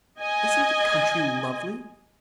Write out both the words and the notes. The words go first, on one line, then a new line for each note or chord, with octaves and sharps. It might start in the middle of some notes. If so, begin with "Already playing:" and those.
Isn't the country lovely!
D#5 G#5